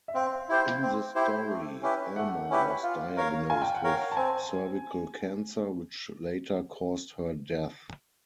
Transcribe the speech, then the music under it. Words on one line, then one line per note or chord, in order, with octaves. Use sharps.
In the story, Alma was diagnosed with cervical cancer which later caused her death.
E5
C4 F5
E4 G4 C5
C4
E4 G4 C5
A3
C#4 E4 G4 B4
A3 F#5
C#4 E4 G4 B4
F4
A#4 C#5 F5
F4 G#5
G5
F#5
A#4 C#5 F5 G5
A5
C4 G#5